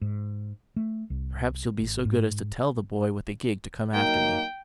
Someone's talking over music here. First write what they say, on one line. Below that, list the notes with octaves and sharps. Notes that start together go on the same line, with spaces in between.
Perhaps you'll be so good as to tell the boy with the gig to come after me?
G#2
A3
C2
G#1
G#2
F#3 A#3 D#4 G5